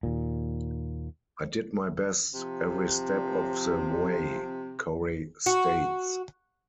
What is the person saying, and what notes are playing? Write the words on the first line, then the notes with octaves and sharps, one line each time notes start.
I did my best every step of the way, Corey states.
D#2 A#2
C3 F3 C4
F#4